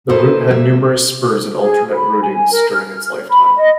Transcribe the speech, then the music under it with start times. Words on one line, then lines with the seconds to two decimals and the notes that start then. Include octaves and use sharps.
The route had numerous spurs and alternate routings during its lifetime.
0.09 A#3 E4 A4 B4 C5 D#5
0.51 G3 A#3 E5
1.59 G#4
1.94 B5
2.21 G#5
2.51 A#4
2.73 F6
3.30 B5
3.57 D#5